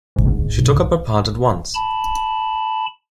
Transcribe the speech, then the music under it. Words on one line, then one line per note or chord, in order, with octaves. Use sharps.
She took up her part at once.
G#2
A5 B5